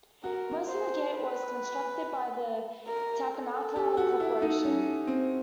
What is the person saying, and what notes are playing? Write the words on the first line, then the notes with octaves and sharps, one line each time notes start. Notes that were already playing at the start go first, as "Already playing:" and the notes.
Most of the gate was constructed by the Takenaka Corporation.
F#4 A#4
C5
B4
A#4
A4
G4
F#4
E4
D#4
C#4
C4